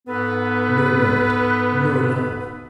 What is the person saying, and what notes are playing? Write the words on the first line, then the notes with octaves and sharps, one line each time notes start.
No God! no Love!
G#2 B3 A4 B4